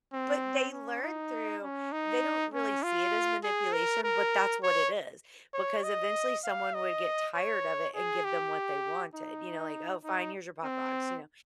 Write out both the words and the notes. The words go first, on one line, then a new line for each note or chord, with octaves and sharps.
But they learn through They don't really see it as manipulation, but that's what it is. Because eventually someone would get tired of it and give them what they wanted, you know? Like, "Oh, fine. Here's your Pop Rocks." You know?
C4
C#4
D#4
C#4
D#4
C#4
F4
G#4
A#4
A#4
C#5
C#5
D#5
F5
D#5
C#5
G#4
G4
D#4
D#4
C4